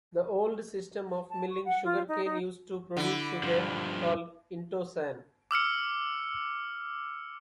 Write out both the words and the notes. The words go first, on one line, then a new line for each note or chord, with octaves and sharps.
The old system of milling sugar cane used to produce sugar, called "intosan".
A5
C#6
F#5
F4
D#4
D#4
D3 E4
G2 F3
D6 E6 F6 C#7